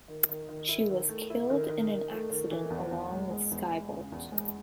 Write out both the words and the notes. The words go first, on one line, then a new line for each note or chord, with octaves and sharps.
She was killed in an accident along with Skybolt.
D#3
D#3
D#3
E4
D#3
A3
E4
D#3
D#3
D#3
A3
D#3
E3
E2
E2
G#3
G#3
E2
G#3
C#3
E2
G#3